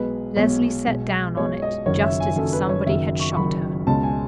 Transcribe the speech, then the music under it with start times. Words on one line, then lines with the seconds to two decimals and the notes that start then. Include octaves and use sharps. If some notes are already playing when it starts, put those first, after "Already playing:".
Leslie sat down on it just as if somebody had shot her.
Already playing: B1 B2 G#3 B4
0.36 B1 B2 G#3 C#5
0.86 B1 B2 G#3
1.37 B1 B2 G#3 C#5
1.62 D#5
1.86 F#1 F#2 D#3 C#5
2.03 E5
2.20 G#5
2.36 F#1 F#2 D#3 A4
2.53 B4
2.69 C#5
2.86 F#1 F#2 D#3 E5
3.20 C#6
3.32 C#6
3.37 F#1 F#2 D#3 B5
3.86 C#2 B2 G#3 C#4 A5
4.03 G#5